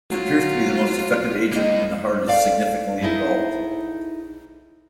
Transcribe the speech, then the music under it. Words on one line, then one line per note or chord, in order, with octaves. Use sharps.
It appears to be the most effective agent when the heart is significantly involved.
F#3 F4
A#3 D#5
A4 D5 F5
D#4 E4 G#4 A4